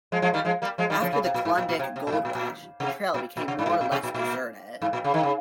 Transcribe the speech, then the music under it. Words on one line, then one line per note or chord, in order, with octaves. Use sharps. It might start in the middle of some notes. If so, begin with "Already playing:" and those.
After the Klondike Gold Rush, the trail became more or less deserted.
F3 G#3
F3 G#3
D#3 G3
F3 G#3
G3 A#3
F3 G#3
D#3 G3
C#3 F3
C#3
C3
A#2
G#2
A#2
A#2
C3
C3
A#2
G#2
A#2
A#2
C3
A#2
A#2
C3
G#2
A#2
G#2
A#2
C3
A#2
A#2
G#2
A#2
C#3
D#3
C#3